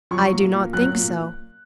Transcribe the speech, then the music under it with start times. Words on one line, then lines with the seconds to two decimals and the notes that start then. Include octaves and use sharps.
"I do not think so."
0.11 F#3 C#6
0.32 A#2
0.53 A#2
0.73 F#3 F#6
0.95 A#2